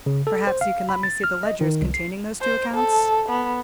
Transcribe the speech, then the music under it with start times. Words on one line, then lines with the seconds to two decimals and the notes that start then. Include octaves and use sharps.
"Perhaps you can let me see the ledgers containing those two accounts?"
0.06 C#3
0.27 A4
0.47 C5
0.61 F5
0.89 B5
1.03 A6
1.24 F6
1.43 D#5
1.61 D#3
1.82 C2
1.94 C7
2.42 C5
2.74 A4
3.29 B3